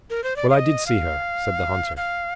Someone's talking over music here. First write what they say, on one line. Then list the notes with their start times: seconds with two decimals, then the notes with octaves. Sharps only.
"Well, I did see her," said the hunter.
0.10 A#4
0.24 C5
0.36 D5
0.50 F5
0.54 D#5
0.86 F5
1.97 F5